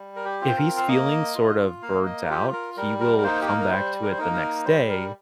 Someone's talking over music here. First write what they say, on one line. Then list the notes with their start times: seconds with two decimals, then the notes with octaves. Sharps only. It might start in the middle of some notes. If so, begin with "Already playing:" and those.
if he's feeling sort of burnt out, he will come back to it the next day
Already playing: G3
0.16 A#4
0.25 G4
0.41 C4 F4
0.48 C5
0.57 A#4
0.77 F5
0.88 A#3 D#5
1.35 F4
1.82 A#3 F5
2.06 D#5
2.24 A#4
2.29 F4 G4
2.53 A#4
2.77 G3 A#4
3.00 A#4
3.18 A#4
3.24 A#3 D#4 C5
3.42 G4
3.47 A#4
3.60 A#4
3.71 G3 C5
4.03 A#4
4.11 C5
4.18 A#3 D#4 A#4
4.34 A#4
4.65 G3 C5
4.89 A#4